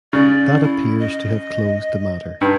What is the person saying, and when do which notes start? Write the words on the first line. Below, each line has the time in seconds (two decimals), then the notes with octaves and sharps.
That appears to have closed the matter.
0.13 C#3 D5
0.62 E4
1.00 D#5
2.41 G2 D#4